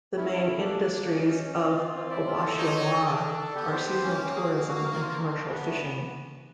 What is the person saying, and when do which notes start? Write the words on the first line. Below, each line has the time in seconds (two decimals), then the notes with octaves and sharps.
The main industries of Awashimaura are seasonal tourism and commercial fishing.
0.17 C#4 E4
0.32 E4
0.49 A4
0.65 A#3 D4
0.81 A#3
0.98 A#3
1.13 C#4 D#4
1.29 C#4
1.46 C#4
1.62 C4 F4
1.78 C4
1.94 C4
2.10 E4 D5
2.26 F4
2.42 A4
2.58 D#4 C#5
2.74 C#5
2.91 A4
3.07 D4 A4
3.23 A4
3.39 A4
3.55 B3 G4
3.72 C5
3.88 G4
4.04 A#3 C#4
4.20 C#4
4.36 G#4
4.52 F#4
4.68 F#4
4.85 A#4
5.01 F4
5.17 D4
5.33 D4
5.49 B3 D4
5.65 A3